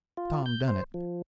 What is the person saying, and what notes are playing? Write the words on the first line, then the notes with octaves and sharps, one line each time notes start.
Tom done it.
F4
G6
C5
F3